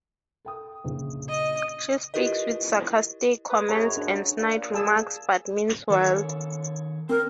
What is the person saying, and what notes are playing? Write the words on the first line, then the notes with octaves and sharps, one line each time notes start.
She speaks with sarcastic comments and snide remarks, but means well.
A4 G5 D#6
A#1 C#3
D#5
E4 F4 G4 A#4 B4 D#5
B4
F#2 G#4 C#5 A#5
D4
A#2
G#4 A5 E6
D#3 A4 C#5
C4 A#4